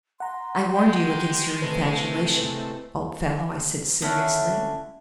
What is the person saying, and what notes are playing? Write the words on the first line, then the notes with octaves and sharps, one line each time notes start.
"I warned you against your infatuation, old fellow," I said seriously.
F#5 A#5 C6
G#3 G4 G5
C3 A3 B4
E4
D3 C#4 E4 F#5